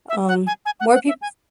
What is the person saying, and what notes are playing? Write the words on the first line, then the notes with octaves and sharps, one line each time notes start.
um, more peop
E5
F#5
G#5
G#5
F#5
F#5
E5
G#5